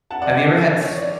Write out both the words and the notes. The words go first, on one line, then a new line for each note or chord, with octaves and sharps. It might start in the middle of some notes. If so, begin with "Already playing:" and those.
Have you ever had s
F#5 A5
D5 F#5
C#5
D5